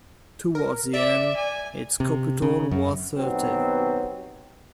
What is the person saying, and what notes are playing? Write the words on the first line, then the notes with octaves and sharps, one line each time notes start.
Towards the end, its capital was Cirta.
A#4
D5 E5
G#5
C3
C#3
F#2
D#2 B2 F#3 B3 C4